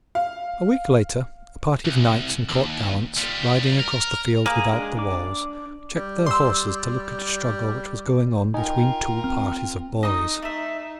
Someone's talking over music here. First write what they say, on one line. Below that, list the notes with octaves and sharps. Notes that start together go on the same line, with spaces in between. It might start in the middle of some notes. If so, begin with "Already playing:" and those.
A week later a party of knights and court gallants, riding across the fields without the walls, checked their horses to look at a struggle which was going on between two parties of boys.
F5
C2
D#2
G3 F4
A#4
A#3 G#4 G#5
G#3 D4 G#4
D4 D5 D6
G3
C6 E6
D#4 F4 A#4 G5 G#5
C4 F6
D#4 D#5 D#6
A3 E5